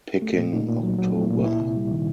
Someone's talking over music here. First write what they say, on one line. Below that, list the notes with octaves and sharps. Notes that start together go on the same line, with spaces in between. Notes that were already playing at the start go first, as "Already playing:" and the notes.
Picking October.
A3
A#2
A#2 D#4
A#2
F#3
F#3
A3
A#2
C#2 E4
C3
G3
D#3